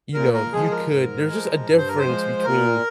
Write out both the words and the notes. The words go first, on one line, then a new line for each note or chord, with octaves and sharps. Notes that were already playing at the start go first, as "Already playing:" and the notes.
you know, you could there's just a difference between
A#2 A#4
A#4
F3 G#3 G#4
A#4
G#2
F3 G#3
G2
C5
A#4
C5
F3 G#3
A#2 A#4